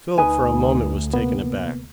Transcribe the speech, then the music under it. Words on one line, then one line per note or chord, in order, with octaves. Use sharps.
Philip for a moment was taken aback.
D2 D#4 B4 G#5 D#6
C3 A#3 B3